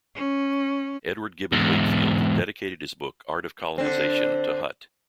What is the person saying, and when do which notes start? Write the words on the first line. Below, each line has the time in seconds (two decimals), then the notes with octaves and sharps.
Edward Gibbon Wakefield dedicated his book "Art of Colonization" to Hutt.
0.15 C#4
1.52 E2 G#2
3.78 D3 C4